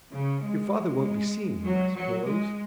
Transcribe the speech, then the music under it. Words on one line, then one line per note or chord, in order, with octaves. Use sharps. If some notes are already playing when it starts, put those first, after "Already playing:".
'Your father won't be seeing him, I suppose?'
C#3
G#3
F#3
F#3
G#3